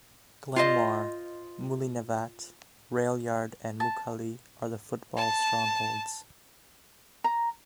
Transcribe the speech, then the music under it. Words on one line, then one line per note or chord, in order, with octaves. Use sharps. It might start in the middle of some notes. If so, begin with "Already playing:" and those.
Glenmore, Mullinavat, Railyard and Muckalee are the football strongholds.
F4 C5 D#5
A5
A5
A#5